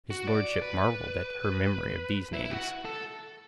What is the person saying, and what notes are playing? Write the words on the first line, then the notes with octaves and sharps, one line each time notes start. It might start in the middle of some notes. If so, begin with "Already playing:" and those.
His lordship marvelled at her memory of these names.
F#4
D5
B4
E4
E4
F#4
A4